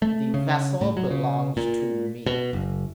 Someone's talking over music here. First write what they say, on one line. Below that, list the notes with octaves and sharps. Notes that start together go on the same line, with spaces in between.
"The vessel belongs to me."
A3
C#3
A2
F#3
C#3
A#2
B2
F#1